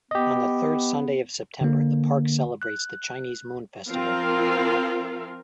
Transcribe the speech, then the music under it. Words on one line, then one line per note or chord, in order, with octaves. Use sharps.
On the third Sunday of September, the park celebrates the Chinese Moon Festival.
B3 G4 D#5
D3 A#3
F#6
F3 C4 F4 A#4 F5